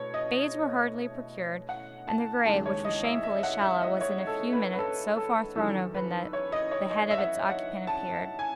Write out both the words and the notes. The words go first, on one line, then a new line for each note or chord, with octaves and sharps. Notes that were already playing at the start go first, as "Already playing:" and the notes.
Spades were hurriedly procured, and the grave, which was shamefully shallow, was in a few minutes so far thrown open that the head of its occupant appeared.
Already playing: B2 A3 C#5
D#5
F#5
A5
D#2 C#3 G#3 A5
C#5
D#5
E5
E5
F#5
E5
D#5
C#5
A4
B4
B4
A4
A4
E2 D#3 F#3 C#4 A4
B4
C#5
D#5
C#5
D#5
E5
F#5
E5
F#5
A5
G#5